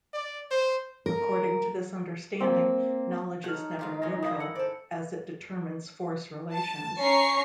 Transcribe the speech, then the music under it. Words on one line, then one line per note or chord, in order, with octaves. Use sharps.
According to this understanding, knowledge is never neutral, as it determines force relations.
D5
C5
A#4
A#3 C4
D#4 A4 C#5 F#5 F6 G6
G#2 F4 G4
G#3 C#4 F4 A#6
D#3 E4 D#5 F5 D#6
F#5 E6 C#7
A4 C5 D5
A5
C#4 A#5 C#6 C7